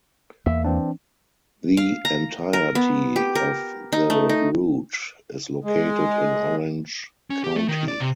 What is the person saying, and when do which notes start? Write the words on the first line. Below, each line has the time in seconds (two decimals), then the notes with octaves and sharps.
The entirety of the route is located in Orange County.
0.46 E2 A#3 E5
0.64 E3 C4 D4
1.77 F5
2.05 A#5
2.53 A#4
2.75 B3
3.16 G4
3.35 A#4
3.92 D#4
4.10 A3
4.29 D#4
5.64 G#3
7.30 C#4
7.44 G4
7.56 A3
7.68 D#3
7.88 D5
8.00 C3